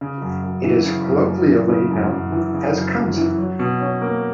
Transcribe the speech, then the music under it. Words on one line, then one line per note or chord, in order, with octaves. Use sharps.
It is colloquially known as "Kungsan".
C#3
F#2
F#2
E3
C#3
F#2
F#2
E3
C#3
F#2
F#2
E3
C#3
F#2
F#2
E3
F#3
B2
C#4
A#3